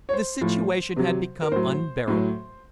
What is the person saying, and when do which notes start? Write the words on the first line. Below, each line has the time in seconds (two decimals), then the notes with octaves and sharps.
The situation had become unbearable.
0.09 C#5
0.13 C5
0.41 A2 F3
0.96 C3 F#3
1.42 A#4
1.52 A2 F#3 C5
2.08 A2 F#3